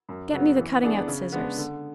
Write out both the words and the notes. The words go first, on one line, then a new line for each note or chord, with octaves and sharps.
Get me the cutting-out scissors.'
F#2
C#3 F#3 B3
E3
B3 D4 G#4
C#3
G#3 B3 D4
D3